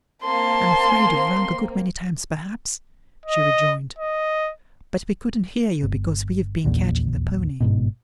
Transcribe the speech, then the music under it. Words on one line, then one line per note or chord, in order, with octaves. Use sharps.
'I'm afraid you've rung a good many times perhaps,' she rejoined, 'but we couldn't hear you, because we've been catching the pony.'
A#3 C4 A5 C6
D#5
D#5
G1
D#1 A#1 E2 A#2
G1 G#2 B2